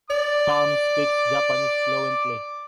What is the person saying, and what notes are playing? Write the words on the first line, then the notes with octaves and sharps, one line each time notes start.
Tom speaks Japanese fluently.
D5 D6